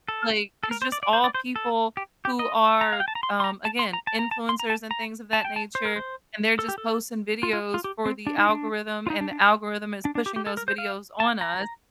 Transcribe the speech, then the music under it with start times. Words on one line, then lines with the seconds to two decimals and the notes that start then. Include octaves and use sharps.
Like, it's just all people who are, um, again, influencers and things of that nature, and they're just posting videos for the algorithm, and the algorithm is pushing those videos on us,
0.08 A4
0.63 A4
0.71 A#4
0.82 C5
0.92 D5
1.03 D5
1.13 C5
1.24 D5
1.35 C5
1.56 A4
1.97 G4
2.25 G4
2.39 D#5
2.81 A#5
2.92 F5
3.00 G5
3.08 A5
3.15 A#5
3.23 C6
3.40 C6
3.44 A#5
3.65 A5
3.79 C6
3.93 A#5
4.07 A5
4.19 A#5
4.31 A5
4.49 C6
4.60 A#5
4.70 A5
4.91 A#5
5.33 A5
5.45 G5
5.56 A5
5.75 C5
5.85 A#4
5.96 C5
6.59 A4
6.68 G4
6.78 A4
7.43 F4
7.53 F4
7.74 F4
7.84 G4
8.06 C4
8.27 D4
8.38 D#4
8.49 D4
9.07 F4
9.10 D#4
9.21 D4
9.32 D4
10.05 D4
10.15 D4
10.26 G4
10.36 G4
10.47 A4
10.57 A#4
10.68 C5
10.78 F5
11.20 A5
11.41 A#5